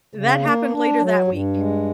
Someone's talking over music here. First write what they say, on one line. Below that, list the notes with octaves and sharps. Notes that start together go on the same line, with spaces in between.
that happened later that week,
C#3
A#3
D4
F#3
G2
G#3